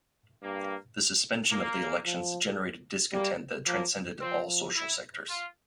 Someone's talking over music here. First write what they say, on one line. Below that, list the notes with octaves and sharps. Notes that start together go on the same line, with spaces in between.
The suspension of the elections generated discontent that transcended all social sectors.
G2 A#3
A#2 A#3
F3
G3 A#3
F3 A#3
F3 C4
E4
F4